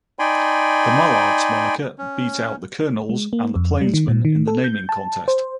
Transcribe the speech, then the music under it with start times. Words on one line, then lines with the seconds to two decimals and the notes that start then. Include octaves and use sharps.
The "Mallards" moniker beat out the "Kernels" and the "Plainsmen" in the naming contest.
0.19 D#4 D5 G5 G#5 B5 C6
1.98 C#4
3.09 G#3
3.33 A#3
3.56 F2
3.81 G3
3.94 D#3
4.08 A#2
4.25 D#3
4.47 A4
4.64 G6
4.89 A5
5.28 C5